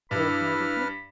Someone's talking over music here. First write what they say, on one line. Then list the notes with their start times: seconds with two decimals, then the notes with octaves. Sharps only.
"Or heard of him?"
0.11 G2 D4 E4 B4 B5 E6 F6